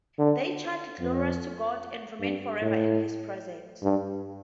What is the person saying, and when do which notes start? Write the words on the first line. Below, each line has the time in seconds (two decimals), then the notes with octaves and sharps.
They chant glorias to God and remain forever in his presence.
0.19 D3
0.99 F2
2.21 G2
2.62 A2
3.83 G2